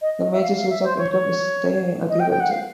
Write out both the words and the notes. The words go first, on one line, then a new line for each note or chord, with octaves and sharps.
The major source of income is the agriculture.
D#5
D#5
E5
F5
F5
E5
C5
C#5
C#5
D#5
G5
G5
F#5
F5